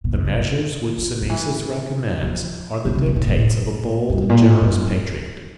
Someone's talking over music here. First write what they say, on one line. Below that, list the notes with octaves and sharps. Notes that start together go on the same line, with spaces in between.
The measures which Synesius recommends, are the dictates of a bold and generous patriot.
B2
C3
C#3
D3
D#3
D#3
E3
F3
E3
C#3
C3
A#2
A#2
A2
G2
A#2
A2
G#2
G2
F#2